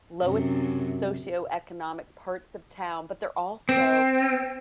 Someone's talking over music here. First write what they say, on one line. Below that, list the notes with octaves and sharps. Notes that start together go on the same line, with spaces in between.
lowest socioeconomic parts of town, but they're also
F#2 C3
C4